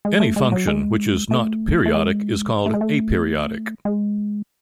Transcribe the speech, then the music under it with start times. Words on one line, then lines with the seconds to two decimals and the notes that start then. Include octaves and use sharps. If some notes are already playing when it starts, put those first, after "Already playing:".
Any function which is not periodic is called aperiodic.
0.05 G#3
0.20 A3
0.36 G#3
0.52 F#3
0.67 G#3
1.31 A3
1.86 A3
1.94 G#3
2.66 A3
2.74 G#3
2.81 A3
3.85 G#3